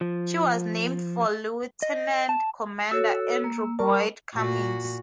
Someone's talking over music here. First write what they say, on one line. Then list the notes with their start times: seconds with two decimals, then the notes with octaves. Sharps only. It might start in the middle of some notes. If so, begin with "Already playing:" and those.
She was named for Lieutenant Commander Andrew Boyd Cummings.
0.01 F3
1.82 D#5
2.29 A5
2.91 F#4 A4 C#5 E6
3.44 A#3
3.79 G3 A#4 D5 A5 C#6
4.36 A#2 F#4